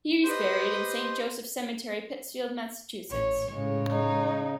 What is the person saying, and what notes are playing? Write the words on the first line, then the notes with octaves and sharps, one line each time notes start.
He is buried in Saint Joseph Cemetery, Pittsfield, Massachusetts.
G4 B4 C5 D#5 C6
A1 C#5
A2 C#3 G#3 C#5
D#4